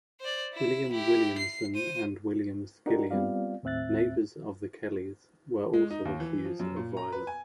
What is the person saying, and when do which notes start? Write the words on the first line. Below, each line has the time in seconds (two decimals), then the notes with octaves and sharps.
William Williamson and William Skillion, neighbours of the Kellys, were also accused of violence.
0.20 C5 D5
0.53 E4 E7
0.91 E4 G4
1.38 C7
1.75 C5 D#7
2.86 D4 D#4 F#4 G4 A#4
3.11 G3 B3 C4 F4 D5 F5
3.63 D#2 A2 C4 E5 F#6 A6
5.73 G#3
5.90 D#4
6.05 D#2
6.20 E3
6.45 F3
6.60 F#2
6.76 A#2
6.97 A#5
7.12 B4
7.27 G#5